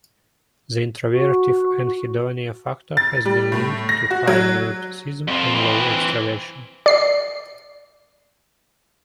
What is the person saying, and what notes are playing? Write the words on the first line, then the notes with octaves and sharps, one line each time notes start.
The introvertive anhedonia factor has been linked to high neuroticism and low extraversion.
F#4
A6
G3
A2
A#6
F#4
F#3
F2 F3
E3 C4
D5 C7